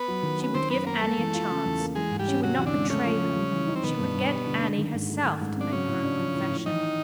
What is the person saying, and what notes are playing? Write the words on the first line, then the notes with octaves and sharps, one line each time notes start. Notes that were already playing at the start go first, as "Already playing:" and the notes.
She would give Annie a chance, she would not betray her, she would get Annie herself to make her own confession.
Already playing: B3 B4
F#3
D#3
C#4 B4
D#3 C4 C5
F#2 B3 B4
A#3 B3 A#4
G#3 A3 A4
E3
F4
C#3
E2
A#3
E3 G#3 G#4
G#2
G3 G4
C#4
C3 F#3 F#4
E2
D3 D4
G#3
C#3 A3 C#4
F3
F3
G3
E3
D#4
C4
B2 D#3 B3
G2
G2
G3
D3
D4
D#3
G#2
A3
D#3
G#2
C4 D4
C#3 F#3 C#4
A2
D4
F3
A2
A2
D#3 E3 D#4